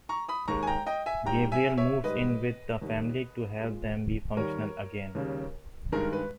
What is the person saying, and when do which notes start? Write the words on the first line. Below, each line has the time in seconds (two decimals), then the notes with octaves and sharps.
Gabriel moves in with the family to help them be functional again.
0.09 A#5 C#6
0.29 B5 D#6
0.48 D#2 D#3 G#3 A#5 C#6
0.63 G#5
0.67 G5 A#5
0.86 D#5 G5
1.06 E5 G#5
1.25 G#2 G3 G5 A#5
1.52 E5 G#5
1.78 C#5 E5
2.03 G#2 D#3 G3 B4 D#5
2.82 D#2 D#3 G3
3.59 A#2 G#3
4.37 D#2 D#3 G3 A#4 C#5
5.15 D#2 C#3 G3
5.92 G2 D#3 G#3 A#4
6.13 B4